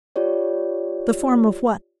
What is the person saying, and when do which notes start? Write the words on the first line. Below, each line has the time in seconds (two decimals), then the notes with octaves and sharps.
The form of what?
0.16 F4 G4 C#5 D5